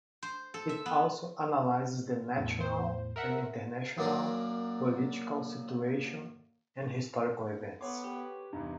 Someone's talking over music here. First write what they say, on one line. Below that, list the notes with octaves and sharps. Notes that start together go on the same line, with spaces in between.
It also analyzes the national and international political situation and historical events.
C5
A4
E5
B3
E2 A2
C5
A#4 E5 F#5
F#2 A#3 D4
B3 A4 C#5 C6 D6
G4 B4
E2 G2 C3 D#4